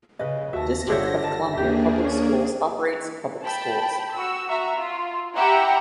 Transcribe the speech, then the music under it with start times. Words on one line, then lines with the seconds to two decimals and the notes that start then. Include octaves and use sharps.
District of Columbia Public Schools operates public schools.
0.19 C#3 B4 D#5
0.53 D#2 F#4 E5 A5 A#6
0.87 G1 D3 F4 G4 A4 C5 C#5 E5
1.24 A5
1.53 D#2 A#3 D4 G4 G#4 E5
2.04 C#4
3.44 G5 A5 B5
4.14 F#4 E6
4.49 F#4 E5 A#5
4.77 F4
5.35 E4 G4 E5 F#5 G5 A#5